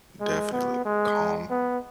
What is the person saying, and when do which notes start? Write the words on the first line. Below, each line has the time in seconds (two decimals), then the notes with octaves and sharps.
Definitely calm.
0.20 G#3
0.52 B3
0.85 G#3
1.50 B3